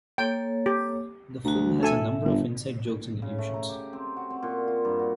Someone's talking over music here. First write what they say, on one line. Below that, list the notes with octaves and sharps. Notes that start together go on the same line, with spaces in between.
The film has a number of inside jokes and allusions.
A#3 A4 C#5 G5
G4
D2 F#4 A#5
A4 E5 G#5
G1
C#3
A3
A#5
G4
C4
F#4
C4
A#2
F4
G2
F#4